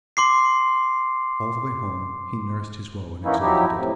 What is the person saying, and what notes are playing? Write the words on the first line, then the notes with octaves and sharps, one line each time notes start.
All the way home he nursed his woe and exalted it.
C6 D6 C7
E3 A#3 B3 C#4 D#4 E4
F3 F#3 D#4 E4 G4
A2 C3